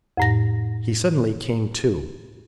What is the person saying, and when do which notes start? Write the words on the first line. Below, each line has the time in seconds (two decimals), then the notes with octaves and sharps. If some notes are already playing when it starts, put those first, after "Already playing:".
He suddenly came to.
0.17 F2 A2 A#6